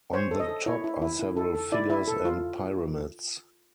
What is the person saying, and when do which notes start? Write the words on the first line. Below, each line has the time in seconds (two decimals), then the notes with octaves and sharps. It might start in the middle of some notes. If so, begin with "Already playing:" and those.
On the top are several figures and pyramids.
0.13 C5 C#5
0.31 A4
0.40 D#5
0.48 A4
0.66 E4 C#5
0.84 E4
1.02 E4
1.19 E4
1.37 A4
1.55 A4
1.72 E4 D5
1.90 E4
2.08 A4
2.25 F4